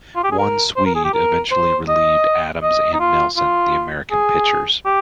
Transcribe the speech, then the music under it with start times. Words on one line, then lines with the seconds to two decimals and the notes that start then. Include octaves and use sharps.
One Swede eventually relieved Adams and Nelson, the American pitchers.
0.16 F4
0.24 G4
0.32 G#4
0.39 A#4
0.77 C5
0.86 A#4
0.95 G#4
1.05 G4
1.14 A#4
1.51 C5
1.88 D#5
2.63 D#5
2.93 D#4
3.00 F4
3.37 F4
4.11 G#4
4.86 G4